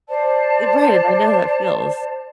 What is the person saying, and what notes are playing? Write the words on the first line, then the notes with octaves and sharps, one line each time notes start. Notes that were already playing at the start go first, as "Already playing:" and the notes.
Eh, right and I know how that feels.
C5 D5 A5